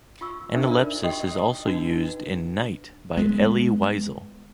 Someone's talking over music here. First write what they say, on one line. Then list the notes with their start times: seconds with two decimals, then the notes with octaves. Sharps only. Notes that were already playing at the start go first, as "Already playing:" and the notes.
Analepsis is also used in "Night" by Elie Wiesel.
0.21 F4 C#6 E6
0.54 D4 D#4 A4 A#4 C5 E5
0.70 F4 A#4 D5
1.04 F#4 G4 D#5 G5 D#6
1.65 D4 D#4 F#4 B4
3.17 G#3 B3